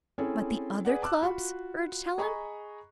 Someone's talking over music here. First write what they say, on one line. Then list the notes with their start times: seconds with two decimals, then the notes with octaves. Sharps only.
"But the other clubs?" urged Helen.
0.18 C4 C#4 E4 G#4 A4
0.85 G#4 B4 D5 F#5
1.02 A5 D6 E6 F#6
1.21 F4 F#4 B5
2.18 G#4 D#5 A#5 B5 C#6